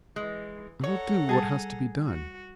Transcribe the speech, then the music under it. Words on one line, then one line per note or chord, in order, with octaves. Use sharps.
"I will do what has to be done."
E3 G#3
A4 C#5 F#5 A#5
G3 G#4 A5 A6
F#4